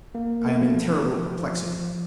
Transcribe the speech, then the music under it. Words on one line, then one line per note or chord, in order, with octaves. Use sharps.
I am in terrible perplexity.
A#3
A3
F#3
F3
F3